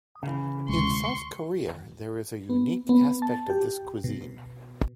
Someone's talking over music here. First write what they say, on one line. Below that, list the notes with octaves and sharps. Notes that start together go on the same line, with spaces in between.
In South Korea there is a unique aspect of this cuisine.
C#3 E3
D2 C3 G#3 C6 C#6
B3
B3
A5
G4
B2